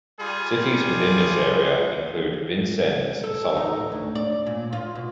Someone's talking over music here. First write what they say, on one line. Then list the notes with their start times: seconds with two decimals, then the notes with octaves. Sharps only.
Cities within this area include Vincennes, Sullivan.
0.20 G3 F4 G#4
3.24 A4
3.57 D#4
3.92 D2
4.15 D5
4.46 A#2
4.73 F4
4.95 B2